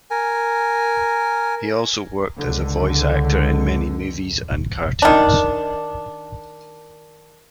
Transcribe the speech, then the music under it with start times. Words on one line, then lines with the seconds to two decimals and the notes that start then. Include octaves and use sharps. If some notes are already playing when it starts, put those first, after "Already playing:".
He also worked as voice actor in many movies and cartoons.
0.11 A#4 G#5
2.37 C#2 D3
5.02 D#3 D4